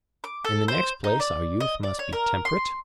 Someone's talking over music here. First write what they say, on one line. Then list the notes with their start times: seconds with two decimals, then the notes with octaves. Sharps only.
In the next place our youth must be temperate?
0.24 D6
0.45 A4
0.68 C5
1.04 D#4
1.20 D5
1.60 D#5
1.83 D5
1.99 C#5
2.13 A#4
2.45 C6